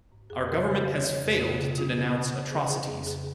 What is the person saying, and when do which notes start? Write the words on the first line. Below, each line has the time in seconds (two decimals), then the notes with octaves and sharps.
Our government has failed to denounce atrocities.
0.12 G#2
0.30 F2 G#4
0.49 C#3 A#4
0.57 C#5
0.67 C#3 G#5
0.79 D#5
0.85 C#3 F5
0.96 C#5
1.04 C#3 D#5
1.13 C#5
1.22 F2
1.32 G#4
1.41 C#3 F4
1.59 C#3 G#4
1.78 C#3 F4
1.96 C#3
2.15 C#3
2.33 C#3
2.52 C#3 G#4
2.70 C#3 G#4
2.89 F2 G#4
3.07 C#3 G#4